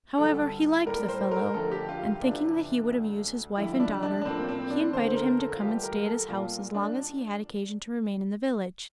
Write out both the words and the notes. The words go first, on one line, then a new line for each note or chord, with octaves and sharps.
However, he liked the fellow; and thinking that he would amuse his wife and daughter, he invited him to come and stay at his house as long as he had occasion to remain in the village.
D2 D3 G3 A4
A2 G3 A#3 A#4
C5
A#4
F2 D3 A3 A4
G4
F4
F4
E2 C3 E3 D4
D2 D3 A3
F2 D3 G3 E4
E4
D4
D4
D4
A2 F3 A#3 C4
C4
D4
D2 D3 A3 C5
A#4
A4
F4
E2 E3 G3 G4
A#4
A4
A#2 G3 A#3 F4
D4